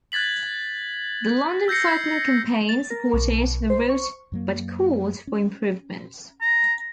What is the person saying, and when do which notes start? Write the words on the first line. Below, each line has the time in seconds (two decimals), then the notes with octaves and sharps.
The London Cycling Campaign supported the route but called for improvements.
0.12 F#6 G#6 A6 B6 F#7
1.68 E6 G6 A#6 C7 C#7
2.69 A6
2.90 A#4
3.13 B1
3.70 C5
3.90 C#6
4.32 F#2 F#3 A#3
5.27 C#4
6.42 A#5